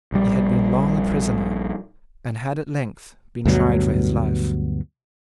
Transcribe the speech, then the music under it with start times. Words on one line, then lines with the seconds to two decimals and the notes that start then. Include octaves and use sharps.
He had been long a prisoner, and had at length been tried for his life.
0.12 A#1 G3
3.45 D2 G2 B2 F#3